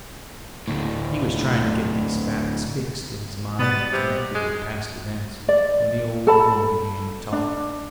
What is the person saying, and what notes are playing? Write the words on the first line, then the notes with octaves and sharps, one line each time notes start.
He was trying to get these facts fixed in his mind and connected with past events, when the old woman began to talk.
D2 A2
B2 G3 B3 A6
C3
G#3
D5
A4 A5 B5
D4